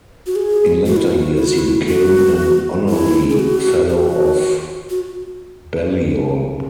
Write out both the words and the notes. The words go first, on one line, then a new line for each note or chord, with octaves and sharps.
In later years he became an Honorary Fellow of Balliol.
F#4
G#4
F#4
E4
F#4
E4
F#4
E4
F#4
E4
G#4
F#4
G#4
F#4
F#4